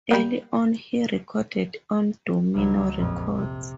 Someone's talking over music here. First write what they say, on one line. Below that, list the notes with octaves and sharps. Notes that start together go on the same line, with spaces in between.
Early on he recorded on Domino Records.
G3 A#3
C#2 F#3
A#1 F2
C3